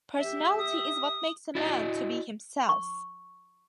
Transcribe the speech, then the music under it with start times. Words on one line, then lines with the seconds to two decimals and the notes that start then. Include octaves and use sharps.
Personality is what makes a man to be himself.
0.20 G4 E5
0.58 D#6
1.55 E4 F#4 D5 D#5
2.69 C#6